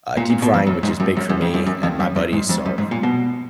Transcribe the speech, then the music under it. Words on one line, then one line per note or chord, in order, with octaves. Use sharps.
uh, deep frying, which is big for me and my buddies, so
A#2
A#2
B2
F2
F#2
G#2
F#2
F#2
F#2
F2
F#2
F#2
F2
F#2
F#2
G#2
F2
F#2
G#2
A#2
B2